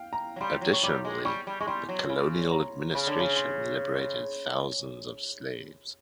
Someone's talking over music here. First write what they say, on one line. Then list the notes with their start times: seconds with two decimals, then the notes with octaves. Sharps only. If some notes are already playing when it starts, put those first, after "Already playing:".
Additionally, the colonial administration liberated thousands of slaves.
Already playing: F5 G5
0.13 A#5
0.36 F#3
0.41 G3 C6
0.61 F#3
0.73 C#6
0.83 G3 D6
1.05 G#3
1.25 G3 C#6
1.47 G3
1.60 G#3 C#6
1.67 G3 C6
1.89 F#3
2.09 C#3 B5
2.52 A#5
2.94 C#3 B5
3.07 D3
3.19 C#3
3.36 C6